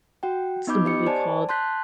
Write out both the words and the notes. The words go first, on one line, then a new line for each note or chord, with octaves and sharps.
what's the movie called
F#4 F#5 G5
B3 D#4 D#5 B5 D6 G6
G4 D#5 C#7
C5 D5 G#5 A5
A5 C6 F#6 G6 B6